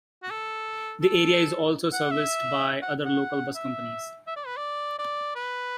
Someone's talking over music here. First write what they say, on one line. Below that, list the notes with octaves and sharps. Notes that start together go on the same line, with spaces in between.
The area is also serviced by other local bus companies.
F#4
A4
A4
F#5
E5
F#5
F#5
E5
E5
D5
B4
D5
D5
B4